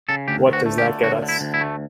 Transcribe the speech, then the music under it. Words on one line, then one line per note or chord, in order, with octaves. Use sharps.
What does that get us?
C#3 A4
D2 G4
D2
F#4
A3
G4
D3
D2 F#4
D3
E4
D2
E4
A3